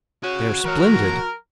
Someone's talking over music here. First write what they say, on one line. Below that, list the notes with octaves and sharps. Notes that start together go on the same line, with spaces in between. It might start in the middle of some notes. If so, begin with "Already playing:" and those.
They are splendid.
F#4 G#4 C#5
E3 A#4 C#5